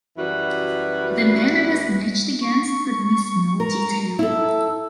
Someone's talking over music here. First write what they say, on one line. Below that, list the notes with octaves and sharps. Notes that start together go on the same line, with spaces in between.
The men I was matched against would miss no detail.
F#2 E3 G3 F#4 B4
C#6
A#4 A#5
E4 A4 E6